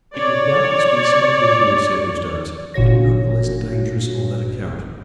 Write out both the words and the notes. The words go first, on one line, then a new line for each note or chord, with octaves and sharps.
It will doubtless be some ordinary circumstance; but none the less dangerous on that account.
C#5 D5
G1 A#2 F#4 C#5 A#6